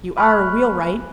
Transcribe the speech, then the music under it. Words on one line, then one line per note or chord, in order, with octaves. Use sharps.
"You are a wheelwright?"
B5 C#6 F6 F#6